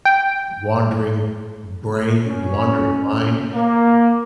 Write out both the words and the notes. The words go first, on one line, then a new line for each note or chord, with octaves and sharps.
wandering brain, wandering mind,
G5
C#4
A#3